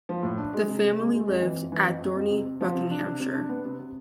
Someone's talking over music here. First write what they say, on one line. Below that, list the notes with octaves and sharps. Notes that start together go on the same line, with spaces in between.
The family lived at Dorney, Buckinghamshire.
F3
A2
D4
G#3
C3
C3
G#3
G#3
F2
E3
F2
E3
F2
F2
F2
C3
C3
F3
C3
D4
C3
C3
D4
B3
C3
C3